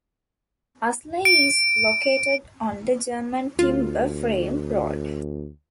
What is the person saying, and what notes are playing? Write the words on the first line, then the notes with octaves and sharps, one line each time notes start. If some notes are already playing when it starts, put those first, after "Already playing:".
Uslar is located on the German Timber-Frame Road.
D7
D2 F4